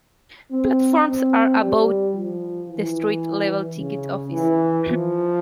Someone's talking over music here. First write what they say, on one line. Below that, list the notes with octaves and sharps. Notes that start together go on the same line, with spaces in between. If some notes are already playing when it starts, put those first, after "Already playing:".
Platforms are above the street level ticket office.
C4
C4
G3
F3
E3
C#3
E3
F3